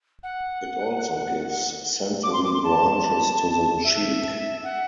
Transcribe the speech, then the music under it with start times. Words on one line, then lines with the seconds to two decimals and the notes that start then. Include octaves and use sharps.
It also gives sensory branches to the cheek.
0.23 F#5
2.23 D6
2.33 C6
2.43 D6
2.54 C6
2.64 A5
3.84 E5
4.64 F#5